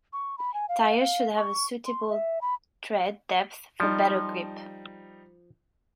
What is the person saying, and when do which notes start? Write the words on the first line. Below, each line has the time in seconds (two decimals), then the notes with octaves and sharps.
Tires should have a suitable tread depth for better grip.
0.13 C#6
0.38 B5
0.54 G#5
0.69 F5
1.01 F5
1.37 C#6
1.86 C6
2.10 E5
2.41 B5
3.80 F3 G3 D#4